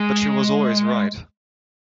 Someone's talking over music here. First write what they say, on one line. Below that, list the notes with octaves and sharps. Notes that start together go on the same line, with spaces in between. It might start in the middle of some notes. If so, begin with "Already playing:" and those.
But she was always right.
Already playing: G#3